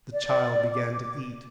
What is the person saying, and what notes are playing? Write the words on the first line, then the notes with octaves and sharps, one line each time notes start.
The child began to eat.
D5
D6